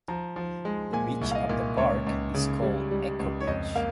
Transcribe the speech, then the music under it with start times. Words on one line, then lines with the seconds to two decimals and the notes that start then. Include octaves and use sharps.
The beach at the park is called Echo Beach.
0.08 F3 A#5
0.36 F3
0.65 G#3
0.93 A#2 G#5
1.21 C2
1.31 F5
1.35 D#5
1.49 A#2
1.77 C#2 C#5
2.06 C#2
2.34 C#3
2.62 G3
2.91 G3
3.19 C#2
3.40 C#5
3.47 F2 D#5
3.76 A#3 F5